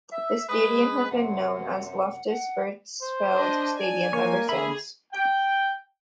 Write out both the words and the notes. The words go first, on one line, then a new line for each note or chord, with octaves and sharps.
The stadium has been known as Loftus Versfeld Stadium ever since.
E5
G#3 B4 D#6
F#2 C3 F#5
F#5
C5
D4 D#5
D5 G#5
F3 A#3 A#4 C#5
D3 G#4 E5 B5
G5